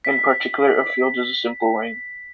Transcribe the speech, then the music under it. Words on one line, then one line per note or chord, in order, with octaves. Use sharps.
In particular, a field is a simple ring.
B6